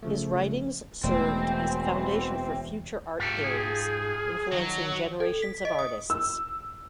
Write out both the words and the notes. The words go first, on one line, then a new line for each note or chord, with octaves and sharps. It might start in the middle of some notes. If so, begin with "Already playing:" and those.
His writings served as a foundation for future art theories, influencing generations of artists.
C#3 F3 A3
E1 E2 B2 E3 A3 C4
G#2 F4 G4 A4
G#4
D#3 F#3
A4
B6
D#5
D#6
E6